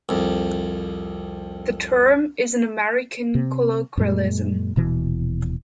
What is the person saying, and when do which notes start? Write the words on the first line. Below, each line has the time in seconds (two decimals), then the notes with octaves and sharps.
The term is an American colloquialism.
0.09 C2 F2
3.35 C3
3.97 F#2 A#2 G#3
4.76 D#1 B2 E3